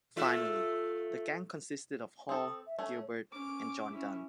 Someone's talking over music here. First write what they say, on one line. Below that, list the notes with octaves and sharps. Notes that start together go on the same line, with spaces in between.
Finally the gang consisted of Hall, Gilbert and John Dunn.
A3 F4 E5
C4 A4 D#6
E5
A3 C#4 C#5
C#4 D6
C#4 E4